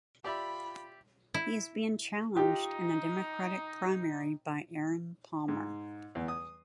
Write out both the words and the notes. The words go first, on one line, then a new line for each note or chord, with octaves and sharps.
He is being challenged in the Democratic primary by Erin Palmer.
F4 G4 D5 E5 B5
E4
D#4 F4 G4
G#2
E2
D#6